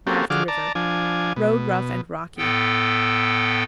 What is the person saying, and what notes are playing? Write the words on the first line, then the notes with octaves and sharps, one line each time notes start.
Raft River.--Road rough and rocky.
A#3 C4 C#4 F#4 G4 A4
D3 F3 F#4 G#4 D6 F6
D5 A5 A#5
F3 D4 G#5
B2
A2 B3 A4 G5